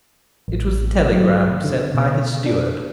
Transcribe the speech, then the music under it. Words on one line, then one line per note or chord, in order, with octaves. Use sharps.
It was the telegram sent by his steward.
A1
F#3
D3
B2
D4